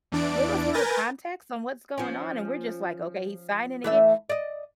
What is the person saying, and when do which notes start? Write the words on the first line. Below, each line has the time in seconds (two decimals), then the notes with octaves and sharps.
Give us a little context on what's going on. And we're just, like, "Okay, he's signing again."
0.12 E2 E3 D4 D5 D7
0.73 A#4 B4 G#5 G6 A6 A#6
1.98 F3 C#4
3.84 E3 A3 E5
4.29 D5 D#5